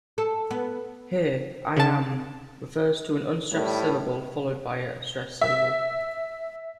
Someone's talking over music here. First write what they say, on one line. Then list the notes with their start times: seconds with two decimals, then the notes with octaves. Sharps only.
Here, "iamb" refers to an unstressed syllable followed by a stressed syllable.
0.18 A4
0.51 B3
1.77 C#3 A5
3.51 A2 G3
5.41 E5